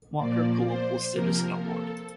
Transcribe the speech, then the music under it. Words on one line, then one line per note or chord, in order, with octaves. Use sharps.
Walker Global Citizen Award.
A#2 F3 A#3 D5
C5
C3 F3 A#3 A#4
A4